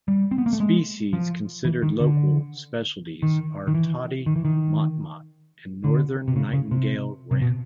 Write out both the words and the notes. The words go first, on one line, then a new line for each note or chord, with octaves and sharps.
Species considered local specialties are tody motmot and northern nightingale-wren.
G3
C4
B3
A#3
A3
G#3
F3
E3
D#3
D3
D#3
D#3
E3
D#3
E3
D#3
D3
C3
C#3
C#3
C3
C3
B2